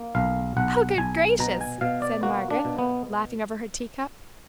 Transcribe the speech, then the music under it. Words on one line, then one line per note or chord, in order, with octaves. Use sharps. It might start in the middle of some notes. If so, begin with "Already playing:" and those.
"Oh, good gracious!" said Margaret, laughing over her teacup.
Already playing: A#3
B1 F5
B1 F#5
B1 G#5
B2 A#5
G#5
B2 F5
D5
A#3 F#4
D4
B2
B3